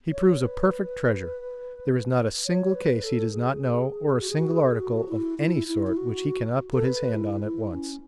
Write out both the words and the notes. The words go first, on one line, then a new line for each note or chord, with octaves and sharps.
He proves a perfect treasure; there is not a single case he does not know or a single article of any sort which he cannot put his hand on at once.
C#5
B4
C#5
B4
A4
G#4
F#4
G#4
F#4
G#4
A4
G#4
F#4
E4
E4
E4
E4
F#4
A4
B4
E4
E4
C#4